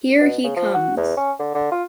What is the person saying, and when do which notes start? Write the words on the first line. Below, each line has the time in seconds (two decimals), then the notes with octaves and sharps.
Here he comes.
0.21 B2
0.44 C#3
0.56 F3
0.74 F#4
0.97 E2
1.17 C#4
1.39 D3
1.55 D3
1.72 F4